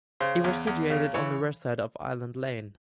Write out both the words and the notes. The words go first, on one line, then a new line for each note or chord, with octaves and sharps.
It was situated on the west side of Island Lane.
C#3 C5
E2
E2
C#3
E3 C#5